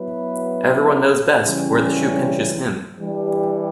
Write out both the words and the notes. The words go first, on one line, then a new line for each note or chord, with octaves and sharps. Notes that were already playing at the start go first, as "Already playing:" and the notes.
Everyone knows best where the shoe pinches him.
Already playing: F#3 B3 E4 B4
C#3 E3 G3 C#4
E3 G3 D4 G4